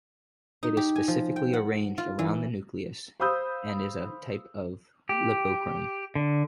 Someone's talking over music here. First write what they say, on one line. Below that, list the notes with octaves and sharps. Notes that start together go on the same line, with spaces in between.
It is specifically arranged around the nucleus, and is a type of lipochrome.
D#4
G4
G#5
F3
G5
F#5
F4
E3
C5 F5 B5 D#6 E6 G6
G4
D3